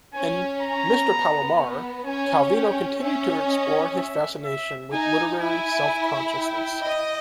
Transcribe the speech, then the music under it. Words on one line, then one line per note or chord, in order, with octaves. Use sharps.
In "Mr. Palomar", Calvino continued to explore his fascination with literary self-consciousness.
C#4 G#5
A#5
B3
C#4 G#5
G5
C#4 E5
D#5
E5
E5
D#4 G#5
E4 G#5
G5
D#5